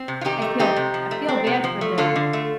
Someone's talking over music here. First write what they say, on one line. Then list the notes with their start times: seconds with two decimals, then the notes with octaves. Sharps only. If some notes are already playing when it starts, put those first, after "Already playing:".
I feel I feel bad for the
Already playing: C4
0.08 C3
0.21 F4
0.24 D#3 D#4 G4
0.42 A3
0.59 C4 D#4 G4
0.76 C3
0.94 F3
1.11 A3
1.28 C4
1.47 C3
1.64 F3
1.81 A3
1.98 D3 F4 A4
2.16 D3
2.33 A3